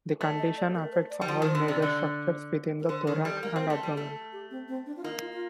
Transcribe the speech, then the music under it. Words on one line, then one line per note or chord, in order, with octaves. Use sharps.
The condition affects all major structures within the thorax and abdomen.
A3 D5
D#5
D5
A#4
C5
D5
G3
F3 D5
D#3
C5
D3
C3 D5
D3
A#4
D3 C5
D#3 A#4
G3 A4
A#3 A#4
C4
A3
G3
A3 A4
G4
C4
C4
D4
F4
A#3 D#4
F4
F4